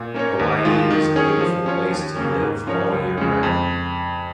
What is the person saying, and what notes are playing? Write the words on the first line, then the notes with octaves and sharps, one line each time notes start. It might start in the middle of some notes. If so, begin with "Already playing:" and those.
Hawaii is a beautiful place to live all year round.
Already playing: A#2
A#3 C#4 A#4 C#5
D#2
D#3 G#3 F4
D#3
C#4 G#4 C#5
F3
C#4 F4 C#5
D#2
C#3 A#3 C#4
G#2
F3 C#4 A#4 C#5
C#2
C#3 G#3 C#4
F2